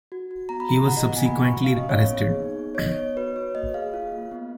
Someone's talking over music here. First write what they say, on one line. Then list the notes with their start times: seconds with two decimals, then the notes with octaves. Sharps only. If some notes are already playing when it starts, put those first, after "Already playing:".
He was subsequently arrested.
0.12 F#4
0.31 F#4
0.49 B3 A#5
0.60 B5
0.68 G#4 A#5
0.87 F4 F#5
0.97 D#5
1.07 B3 F#5
1.16 G#5
1.25 A#3 B5
1.44 F#4 C#6
1.64 C#4 F5
1.77 D#5
1.83 A#3
1.89 C#5
2.02 B3 C#5
2.21 G#4
2.40 D#4
2.59 B3
2.75 C#5
2.78 B3 D#5
2.91 C#5
2.97 B3
3.16 F#4 B4
3.36 F#4 C#5
3.55 A#3 D#5
3.74 G#4 F5
3.94 F4
4.12 A#3
4.31 B3